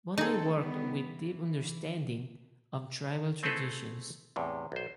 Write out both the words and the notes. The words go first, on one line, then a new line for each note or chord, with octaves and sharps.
Bony worked with deep understanding of tribal traditions.
C#3 C4 D#4 G#4 A4
D#3 G3 B3
E3
A3 C4 E4 G#4 A4 B4
E2 A2 C3
B1 C5